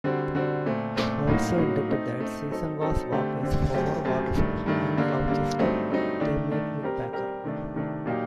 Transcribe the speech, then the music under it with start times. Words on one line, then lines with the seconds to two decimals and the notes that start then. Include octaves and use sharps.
Also inducted that season was Walker's former Watford and Colchester teammate Mick Packer.
0.04 D3 G3 C4 F#4
0.35 D3 G3 C4 F#4
0.66 A#2 A3 C4
0.96 A#2 A3 C4
1.27 A2 F#3 A#3 D#4 F#4
1.58 A2 F#3 A#3 D#4 F#4
1.89 A3 C4 D#4
2.20 A3 C4 D#4
2.50 F#3 C4 D#4 A4
2.81 F#3 C4 D#4 A4
3.12 D3 A3 C4 G4
3.43 D3 A3 C4 G4
3.74 F#2 F#3 A3 C4 G4
4.05 F#2 F#3 A3 C4 G4
4.36 G2 D#3 A3
4.66 G2 D#3 A3
4.97 D3 G3 A#3
5.28 D3 G3 A#3
5.59 G2 F#3 A3 C4 D#4
5.90 G2 F#3 A3 C4 D#4
6.20 D#3 A3 D4
6.51 D#3 A3 D4
6.82 G3 C4 G4 A#4
7.13 G3 C4 G4 A#4
7.44 C3 D#3 A3 D4
7.74 C3 D#3 A3 D4
8.06 A#2 F#3 A#3 D#4 G4